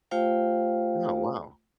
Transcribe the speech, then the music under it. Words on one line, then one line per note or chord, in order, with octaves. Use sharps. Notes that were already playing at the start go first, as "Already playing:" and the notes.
Oh, wow.
A3 F4 G4 C5 F5 G5